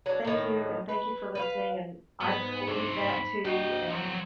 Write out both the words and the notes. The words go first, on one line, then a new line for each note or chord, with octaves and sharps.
Thank you, and thank you for listening, and I believe that too, and
F#3 D4
A2 D#3
B4
B4 C#5 F5
G#2 B3
G2 C4 D4
B5
D4 F#4 D#5 G5
F3 F#3 C4